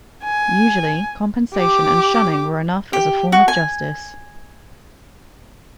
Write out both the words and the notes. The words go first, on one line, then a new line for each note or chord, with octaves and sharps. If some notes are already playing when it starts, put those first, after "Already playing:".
Usually, compensation and shunning were enough as a form of justice.
G#5
G4 D6
G4
F#4
G#5